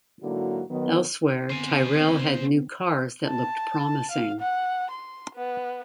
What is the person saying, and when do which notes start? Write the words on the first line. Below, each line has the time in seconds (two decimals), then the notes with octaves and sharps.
Elsewhere Tyrrell had new cars that looked promising.
0.23 G#2 D3 F#3 A#3 E4 F#4
0.70 D#3 F#3 B3
1.50 D3 B3 C4 C5 G#5
3.26 A5
4.11 F5
4.40 F#5
4.90 C6
5.35 B3